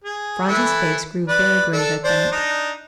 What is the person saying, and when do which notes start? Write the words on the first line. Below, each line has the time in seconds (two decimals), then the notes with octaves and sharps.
Phronsie's face grew very grave at that.
0.04 G#4
0.48 E3 E4 A4
1.28 B4 D5
1.73 D4 A4
2.04 D4 C5 D5
2.32 D4 D#4